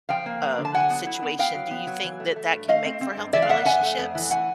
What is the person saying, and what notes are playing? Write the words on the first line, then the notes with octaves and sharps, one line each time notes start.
uh, situation. Do you think that that can make for healthy relationships?
F3 F5 G5
A#3
F3
D3
A5
F#3 F#5 G#5
B3
E4
B3
B3 F5 G5
F#3
B3
F#3
E3
A3
A3
G2
A3 D#5 F5
C4
C4
G2
E3 D5 E5
F5
F2 E5 F#5
F2 F#5 G#5
A3
F2
E3
A3 F#5 G#5